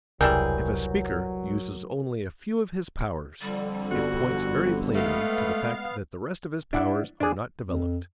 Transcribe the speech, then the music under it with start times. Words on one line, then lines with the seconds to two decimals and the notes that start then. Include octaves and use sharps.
If a speaker uses only a few of his powers, it points very plainly to the fact that the rest of his powers are not developed.
0.21 E1 C2 E3 F#3 G3 G#4 A#4 G6
3.42 F2 D3 G3
3.91 G1 F#4
4.95 G#3 A3 B3 F5
6.73 D4 E4 F#5
7.20 D4 G#4
7.63 F2